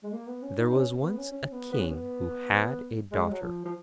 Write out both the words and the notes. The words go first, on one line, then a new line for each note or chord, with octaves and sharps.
There was once a King who had a Daughter.
G#3
A#3
B3
C#4
D#4
C#4
B3
C#4
C#4
B3
B3
C#4
B3
G#3
F#3
F3
F3